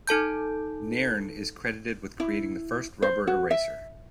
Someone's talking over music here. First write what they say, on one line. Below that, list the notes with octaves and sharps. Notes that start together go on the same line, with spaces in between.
Nairne is credited with creating the first rubber eraser.
D#4 A4 A5 G6
E4
C5
F#4
E5